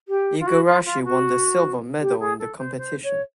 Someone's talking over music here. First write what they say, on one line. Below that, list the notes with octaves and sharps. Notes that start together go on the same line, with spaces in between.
Igarashi won the silver medal in the competition.
G4
F4
F#4
F4
F4
F#4
G4
G#4
A4
C5
C5
C#5